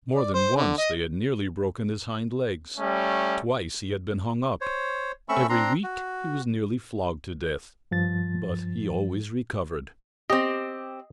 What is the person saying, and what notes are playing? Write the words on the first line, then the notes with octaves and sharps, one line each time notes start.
More than once they had nearly broken his hind-legs, twice he had been hung up, every week he was nearly flogged to death, but he always recovered.
D5
C5
D3
D#5
G3 A3 C#4
C5 C#5
A3 C4 C#4 B5 C#6 E6
C4 D4 A#5 C6
F#4
G2 F3 A6
C4 G4 D#5